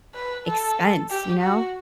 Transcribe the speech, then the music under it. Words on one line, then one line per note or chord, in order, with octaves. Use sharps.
expense, you know?
B4
A4
G4
F#4